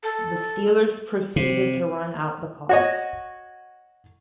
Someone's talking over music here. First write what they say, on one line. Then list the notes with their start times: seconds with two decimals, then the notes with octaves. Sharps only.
The Steelers proceeded to run out the clock.
0.03 A4
1.36 C3
2.69 F#4 C#5 D#5